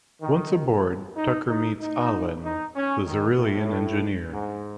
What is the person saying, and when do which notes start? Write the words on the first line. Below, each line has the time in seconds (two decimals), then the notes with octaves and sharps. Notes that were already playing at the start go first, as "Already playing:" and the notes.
Once aboard, Tucker meets Ah'len, the Xyrillian engineer.
0.21 D#3
1.16 D#4
1.48 D#4
1.80 D#4
2.43 D#4
2.74 C#4
3.06 D#3
3.38 A2
4.32 G#2